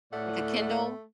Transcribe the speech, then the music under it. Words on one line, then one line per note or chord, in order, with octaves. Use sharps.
Like a Kindle?
E2 A2 A3 D5 F#5